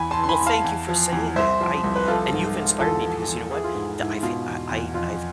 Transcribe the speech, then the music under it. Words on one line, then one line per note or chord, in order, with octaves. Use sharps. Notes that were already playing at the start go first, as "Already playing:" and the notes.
Well, thank you for saying that. I and you've inspired me because you know what? Tha I've f I I I've
Already playing: E2 G#5 B5
A5 C6
E3
C6
G#5 B5
E2
F5 A5
E2
F3
E2
C2 C5 E5
F3
C2
B4
F3 F4 A4
G#2
G#2
E2 F4 A4
F3
E2
E3 E4 G#4
F4
G#2 E4
G#2 E4
B2 F4
E2
E2
F2 F4